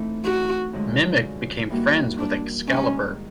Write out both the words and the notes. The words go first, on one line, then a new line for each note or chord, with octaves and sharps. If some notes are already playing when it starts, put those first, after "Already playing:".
Mimic became friends with Excalibur.
Already playing: E3 A3 C4 D#4
F#4
F#2 D3 F3 G#3
E3 G3 A#3 D#4 F#4
D4
G#2 D#3 G3 C#4